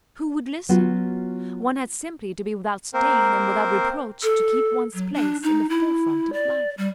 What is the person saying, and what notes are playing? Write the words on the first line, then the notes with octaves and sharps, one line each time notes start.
Who would listen? One had simply to be without stain and without reproach to keep one's place in the forefront of life.
F#3 B3 C#4 F4 F#4
A#3 C4 A#4 C5
A4
F#3
D4
D#4
E4
D5
G3